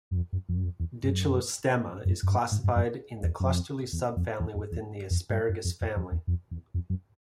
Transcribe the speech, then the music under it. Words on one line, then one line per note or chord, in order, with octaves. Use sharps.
"Dichelostemma" is classified in the cluster-lily subfamily within the asparagus family.
F#2
F2
F#2
F2
F#2
F2
E2
G2
F#2
F#2
F#2
G2
G#2
G2
F#2
E2
F#2
F2
E2
F2
E2
F2
E2
F2
G#2
G2
F#2
F2
F2
F2
E2
F2
E2
F2
F#2